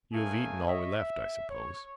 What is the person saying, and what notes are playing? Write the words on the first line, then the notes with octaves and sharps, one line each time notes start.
You have eaten all we left, I suppose.
A3 C#4 G#4 A#4 F5 G#5
C#5 D#5 E5
E5
C#5